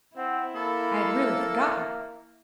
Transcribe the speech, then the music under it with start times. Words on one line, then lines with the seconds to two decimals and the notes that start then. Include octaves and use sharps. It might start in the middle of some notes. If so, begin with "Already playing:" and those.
I had really forgotten.
0.16 C4 E4 F#5
0.55 A#3 A4 B5
1.22 E5